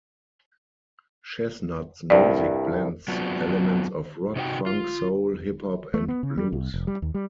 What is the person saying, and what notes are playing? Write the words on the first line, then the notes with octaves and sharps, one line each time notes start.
Chesnutt's music blends elements of rock, funk, soul, hip hop, and blues.
C2 G2 D5
F#3 B3 C4 D4 F4 F#4
C3 D#4 F#4 G5
F4
A3
B3
C#3
G3
C2
F1
G3
D#2
G3